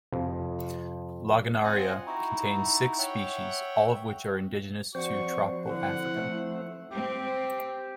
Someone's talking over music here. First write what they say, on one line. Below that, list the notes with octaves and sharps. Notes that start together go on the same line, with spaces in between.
"Lagenaria" contains six species, all of which are indigenous to tropical Africa.
F2 C3
C4 F4 D#5 F#5 G#5
D#4 E4 F#4
C#5 E5 F#5 G5
F3 C4 F#4 C5 D5 C#6
D3 E4 F#5
A3
C4 G4